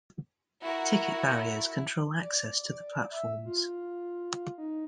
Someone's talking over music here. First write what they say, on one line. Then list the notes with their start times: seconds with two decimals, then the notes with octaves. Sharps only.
Ticket barriers control access to the platforms.
0.63 E4 F#4 A#4
2.20 D5
3.11 E5
3.45 F4
4.58 D#4